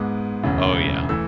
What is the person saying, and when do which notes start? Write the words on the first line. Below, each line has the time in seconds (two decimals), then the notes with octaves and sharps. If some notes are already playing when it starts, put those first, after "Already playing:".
Oh, yeah.
Already playing: G#2 G#3 B3 D6
0.44 E1 D2 C#3
1.09 E3 A3 E6